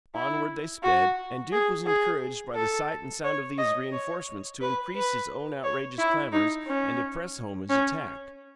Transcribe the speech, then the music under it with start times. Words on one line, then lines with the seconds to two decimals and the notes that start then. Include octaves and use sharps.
Onward they sped, and Duke was encouraged by the sight and sound of these reenforcements to increase his own outrageous clamours and to press home his attack.
0.15 E4
0.83 F#4
1.52 G#4
1.86 G#4
2.55 A4
3.24 C#5
3.58 D#5
3.92 C#5
4.61 B4
4.95 B4
5.64 C#5
5.98 E4
6.32 D#4
6.67 C#4
7.70 C#4